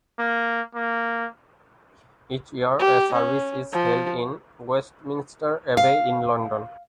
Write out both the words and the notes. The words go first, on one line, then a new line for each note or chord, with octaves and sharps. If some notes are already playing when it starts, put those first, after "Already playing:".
Each year a service is held in Westminster Abbey in London.
A#3
A#3
G4
C#4
F3
F5